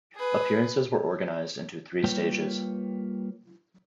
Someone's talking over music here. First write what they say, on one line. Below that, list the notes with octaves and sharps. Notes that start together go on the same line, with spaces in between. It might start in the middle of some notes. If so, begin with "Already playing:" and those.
Appearances were organized into three stages.
G#4 B4
G3 A#3 F4 B4 C#5 G5